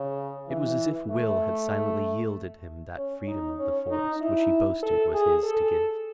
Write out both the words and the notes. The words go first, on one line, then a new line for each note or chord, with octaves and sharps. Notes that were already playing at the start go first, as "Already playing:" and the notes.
It was as if Will had silently yielded him that freedom of the forest which he boasted was his to give.
Already playing: C#3
E3
A3
C#4
D#4
C#4
D#4
E4
A4
G#4
A4